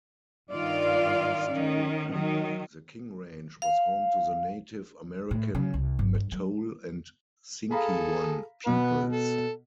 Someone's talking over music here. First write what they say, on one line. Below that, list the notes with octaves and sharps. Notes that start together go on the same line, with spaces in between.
Historically, the King Range was home to the Native American Mattole and Sinkyone peoples.
G2 D#3 F4 D5 F5
D#3 C#4
D#3 F#3
F5
A2
C#3
C2
G1
G2
F#3
G#4 A4 F5 A#5 B5
B2 B4 F#5
A4